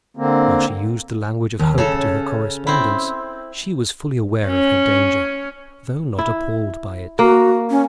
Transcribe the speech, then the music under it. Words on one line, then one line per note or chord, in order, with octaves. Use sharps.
While she used the language of hope to her correspondents, she was fully aware of her danger, though not appalled by it.
D3 A#3 C4
D#2
C#3 C#4 A4
C4 E4
C#4
E4
A#3 F#4
C#4